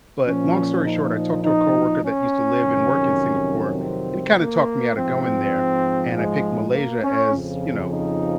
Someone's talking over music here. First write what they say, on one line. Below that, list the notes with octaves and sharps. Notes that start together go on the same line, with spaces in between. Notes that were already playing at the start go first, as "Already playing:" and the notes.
but, long story short, I talked to a coworker that used to live and work in Singapore, and he kinda talked me out of going there. And I picked Malaysia as, you know,
A#2 F3 C#4
D#4
D#4
C#4
F2 C3 D#3 F#3
C4
A#3
G#2 F3 C4
G#3
A#3
C#4
F2 C#3 F3
D#4